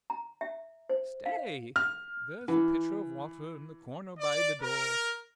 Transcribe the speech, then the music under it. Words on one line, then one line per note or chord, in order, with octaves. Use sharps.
'Stay. There's a pitcher of water in the corner by the door.
A#5
E5
C5
F5
F6
E3
D5
A#4